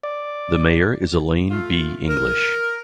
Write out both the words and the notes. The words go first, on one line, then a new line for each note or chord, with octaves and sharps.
The mayor is Elaine B. English.
D5
A3 F4
A#4